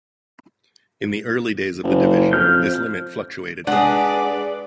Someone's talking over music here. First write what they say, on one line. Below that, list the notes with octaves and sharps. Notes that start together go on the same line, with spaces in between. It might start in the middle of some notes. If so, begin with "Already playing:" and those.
In the early days of the division, this limit fluctuated.
F#1
F2 F6 G6
G#3 D4 G#4 B4 D5 F#5